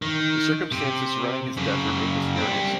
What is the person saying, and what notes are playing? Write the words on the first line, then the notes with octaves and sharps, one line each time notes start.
The circumstances surrounding his death remain mysterious.
D#3
C3
F#2 C#3
G3 C4